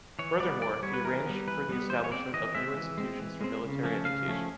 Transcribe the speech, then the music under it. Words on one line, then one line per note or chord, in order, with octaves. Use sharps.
Furthermore, he arranged for the establishment of new institutions for military education.
E3 C#5
G3 B3 D5
E3 D5
D5
G3 B3 C#5
B4
E3 A#4
G3 B3
E3 B4
G3 B3
E3 C5
C#5
G#3 C4 D5
E3 D#5
G#3 C4 E5
E3
G#3 C4
E3
G#3 C4
C#3
F3 A3 C#4
C#3 F5
F3 A3 C#4